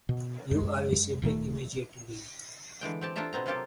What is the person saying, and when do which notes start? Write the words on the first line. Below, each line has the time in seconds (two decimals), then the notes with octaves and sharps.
You are received immediately.
0.09 B2
0.51 F#2 G#3
1.22 D1 A#2 D#3 A3
2.81 D3 E3 G#3 G5
3.01 C4 G4 A5
3.16 D4 F4 G4 A4 E5 A#5
3.33 B2 B3 C4 A#5
3.46 C3 F#3 A#3 F4 G4 A4